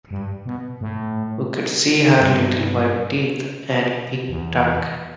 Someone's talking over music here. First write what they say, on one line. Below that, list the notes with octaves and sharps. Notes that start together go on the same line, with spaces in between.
We could see her little white teeth and pink tongue.
G2
B2
A2
G2
E2